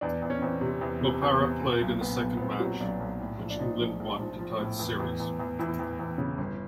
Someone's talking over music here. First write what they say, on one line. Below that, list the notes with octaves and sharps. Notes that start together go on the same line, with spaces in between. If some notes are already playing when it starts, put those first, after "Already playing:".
Bopara played in the second match which England won to tie the series.
E2 D4
E2
C#4
E2 C4
C3
E2
C3
E2
C3
A#2
B1
A#2 B3
B1
B3
B1 C4
F#3
B1 D4
B1
A2
A#1
D4
F3 D#4
A#1
A#1
F3
F3
A2
E2 E4
E2
E2
E2
E2 E4
E2
E2
C#3
G1